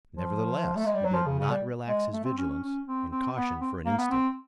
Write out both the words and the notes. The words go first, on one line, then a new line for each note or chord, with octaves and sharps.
Nevertheless, he did not relax his vigilance and caution for an instant.
F3
A3
G#3
G3
F#3
F3
C#3
C#3
G3
G#3
A3
C4
C#4
C#4
C#4
C4
C4
B3
C4
A#3
B3
C4